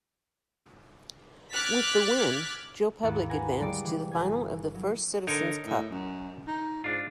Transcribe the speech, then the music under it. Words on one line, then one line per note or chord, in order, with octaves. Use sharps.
With the win Joe Public advanced to the final of the First Citizens Cup.
D6 F6 F#6 G#6 A6 B6
D#2 G#2 E4 F#6 A6 C#7
B4 F#5 G#5 A#5
D3 G3 G#3 D5 D7
C3 E3
G1 G#5 G#6
F#3
D3 D#4 A#4 C#5
A2
F#2
D#4
G#2 D4 F4